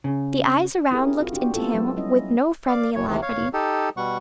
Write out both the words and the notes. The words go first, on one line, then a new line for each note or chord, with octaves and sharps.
The eyes around looked into him with no friendly alacrity.
C#3
C4 E4 G4 G#4 A#4
F4 F#4
D4 F#4 G4
B3 C4 E4 F4 A4
F#3 G#3
G3 C#4 E4 D#5
D5 F5
F#2 C#5
D#2 C3 D#3 E3
C#5 F5
D#4 G4 A4
B2 G3 F#5 C#6